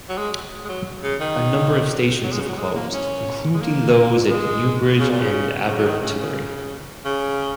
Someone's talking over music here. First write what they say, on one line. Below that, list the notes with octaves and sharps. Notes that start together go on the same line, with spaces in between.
A number of stations have closed, including those at Newbridge and Abertillery.
F#3
G#3
G#3
F#3
C#3
D#3
F#3
G#3
C#3
F#3
G#3
A#3
C#4
G#3
A#3
G#3
C#3
A#2
C#3
C#3
F#3
D#3
C#3
C#3